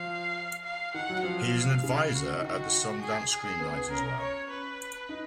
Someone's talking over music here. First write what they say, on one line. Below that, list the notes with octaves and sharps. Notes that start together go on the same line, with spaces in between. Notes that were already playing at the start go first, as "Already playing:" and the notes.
He is an advisor at the Sundance Screenwriters Lab.
Already playing: F3 F5
F5
D#3 F#5
F#3
F3 F5
C#3
F#4
D#3 F#4
G#4
G#4
B3
B3
C#4 A#4
C#5
B4
D#4